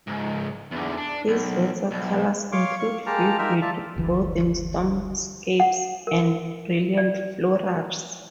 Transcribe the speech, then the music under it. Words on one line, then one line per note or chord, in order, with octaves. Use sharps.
His watercolors include vivid, brooding storm-scapes and brilliant florals.
C#2 G#2
E2 D3
D4
B1
B1
C#5 F5 C6 D6
F5 C#6
G#3 A#3 G4 A5 A#5 F6
D#4 F4 G4 A#4 E5 F6
F4 D5 E5 A5
F#1 D2 E3
F#5
A#4
D5